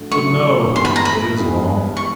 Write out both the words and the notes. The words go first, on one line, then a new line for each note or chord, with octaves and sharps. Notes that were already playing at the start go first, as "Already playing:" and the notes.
But no--it is long.
Already playing: A2 F#3 A3 D4
A2 F#3 A3 D4 C#6
G2 E3 G#3 B3 C6
B5
A#5
B5
G2 E3 G#3 B3
C#6